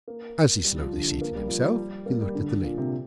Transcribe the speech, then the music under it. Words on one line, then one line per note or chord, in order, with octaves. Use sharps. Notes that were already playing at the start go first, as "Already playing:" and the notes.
As he slowly seated himself, he looked at the lady.
A#3
G3
F3
D3
D3
A#3
G3
F3
G3
A#3
G3
D3
A#2
C3